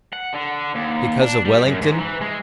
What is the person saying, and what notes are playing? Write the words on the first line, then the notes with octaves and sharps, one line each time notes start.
Because of Wellington?
F#5
D3
D#2
D4
G3
F#2
G#2
E3
G#3